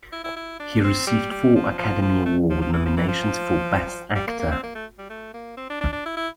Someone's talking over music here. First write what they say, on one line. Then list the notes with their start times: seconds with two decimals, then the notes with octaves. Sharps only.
He received four Academy Award nominations for Best Actor.
0.12 E4
0.24 E4
0.36 E4
0.60 D4
0.84 C4
1.07 G3
1.31 G3
1.55 F3
1.78 F3
2.02 F3
2.25 A3
2.50 F3
2.61 F3
2.73 E3
2.85 F3
2.97 E3
3.08 F3
4.16 G3
4.27 A#3
4.39 A#3
4.51 C4
4.63 A#3
4.75 A3
4.99 G3
5.10 A3
5.34 A#3
5.57 C4
5.70 D4
5.81 D4
5.93 D4
6.05 E4
6.17 E4